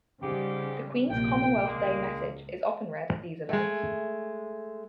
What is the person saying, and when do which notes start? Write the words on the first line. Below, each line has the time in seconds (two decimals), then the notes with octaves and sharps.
The Queen's Commonwealth Day message is often read at these events.
0.21 G#2 C#3 G3 G4
1.09 A#1 C3 A#3 G5
1.66 C#2 G#3 A#3
3.49 G#3 A3